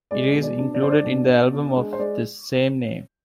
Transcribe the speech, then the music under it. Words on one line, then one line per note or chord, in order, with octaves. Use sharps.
It is included in the album of the same name.
G#3 D5
B2
D5
D4
D5
D4 C5
D5
B2
B2
D4
G#3
C5
G#3 D5